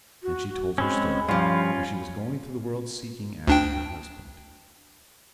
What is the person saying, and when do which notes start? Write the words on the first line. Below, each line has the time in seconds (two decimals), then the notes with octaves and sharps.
Then she told her story--how she was going through the world seeking after her husband.
0.23 F#4
0.49 F#4
0.78 G#3 C4 C#4 B5
1.28 G2 F3 C#4 F4
3.47 D2 D4 G5